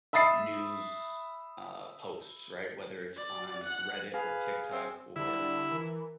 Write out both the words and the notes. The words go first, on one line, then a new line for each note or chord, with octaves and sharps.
news, uh, posts, right? Whether it's on Reddit or TikTok or,
E5 B5 D#6 A6 C7
D5
F#5 F#6
G#4 B4 F5
C4
D3 G3 E4
E3 A#4